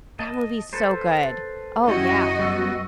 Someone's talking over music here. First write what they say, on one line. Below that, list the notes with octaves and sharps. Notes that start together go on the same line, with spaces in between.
That movie's so good, oh yeah.
D#5 A5
A4 B4 C5
F#2 C#4 E4 F#4 G4 D#5
G3 B3 E6